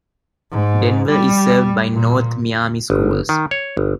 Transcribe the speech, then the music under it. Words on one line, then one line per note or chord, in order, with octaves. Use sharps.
Denver is served by North Miami Schools.
G#2
G3
A#2
G1
D#3
C#5
G1